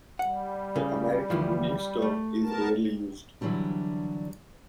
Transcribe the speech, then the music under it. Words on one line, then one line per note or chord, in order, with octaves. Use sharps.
The American English term is rarely used.
G3 F#5
C#3
D2 E3 F3
A3
B3 A#4 A5
D3 E3 F#3 G3 D4